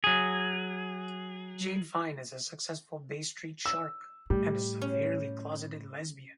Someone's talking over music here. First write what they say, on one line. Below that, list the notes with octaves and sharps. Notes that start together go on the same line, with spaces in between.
Jayne Fine is a successful Bay Street shark, and a severely closeted lesbian.
F#3 G#4
E6
A2 G3
C#4